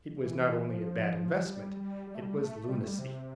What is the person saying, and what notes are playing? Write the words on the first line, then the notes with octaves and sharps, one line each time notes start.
It was not only a bad investment, it was lunacy.
E3
F3
E3
F3
G3
G3
G3
A3
G3
A3
G3
A3
G3
C3